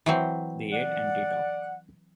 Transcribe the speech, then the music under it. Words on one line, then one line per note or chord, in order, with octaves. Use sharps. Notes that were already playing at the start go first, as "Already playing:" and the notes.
They eat and they talk.
E3 F#3 C4
D5 F#5